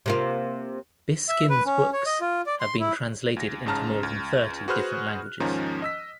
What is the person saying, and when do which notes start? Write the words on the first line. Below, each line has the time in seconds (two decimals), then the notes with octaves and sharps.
Biskind's books have been translated into more than thirty different languages.
0.06 C3 A#3 F4
1.29 E5
1.49 B4
1.66 C#4
1.93 C#5
2.06 D#5
2.21 F4
2.46 D5
2.60 C6
2.80 E4
3.36 D2 A#6
3.65 A1 G#2 C#3 A5 A#5 F6
4.03 C#2
4.68 F#4 G#4 B4 C5 F6 F#6
5.40 D#2 G#2 D#3 F3 C#4 A#5
5.82 D#5 E6 B6